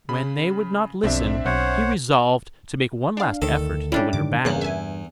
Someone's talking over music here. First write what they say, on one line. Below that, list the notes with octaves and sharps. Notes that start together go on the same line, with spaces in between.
When they would not listen, he resolved to make one last effort to win her back.
C#3 B5
B1 F2 C4 D4 E5
B1 C5 C#5 F#5
D4 F5
D2 D#3 A4
G3 C#4 D4 E4 G4
G#2 D3 D#3 D6
E2 G2 C#3 A#3 F#6
E5 G#5